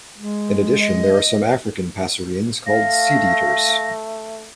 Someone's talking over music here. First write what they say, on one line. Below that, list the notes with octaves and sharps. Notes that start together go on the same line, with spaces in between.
In addition, there are some African passerines called seedeaters.
G#3
D#5
A3 F5 A#6